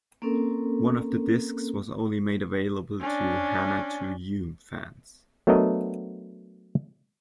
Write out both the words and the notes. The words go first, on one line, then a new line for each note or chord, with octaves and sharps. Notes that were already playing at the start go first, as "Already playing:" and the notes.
One of the discs was only made available to "Hana to Yume" fans.
A#3 C4 C#4 A4 A#4
C#4 D4
F#3 A3 B3 D4 A#4 D#5